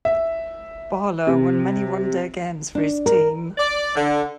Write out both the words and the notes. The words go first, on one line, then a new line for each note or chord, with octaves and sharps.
Barlow won many one-day games for his team.
E5
C3
D4
A#4
D5
D3